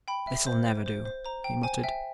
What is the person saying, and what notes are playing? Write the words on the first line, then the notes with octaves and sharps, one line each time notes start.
"This'll never do," he muttered.
G5 B5
E5
C5
C5
C5
C5
C5 A#5
G5
C5 G#5
E5 G5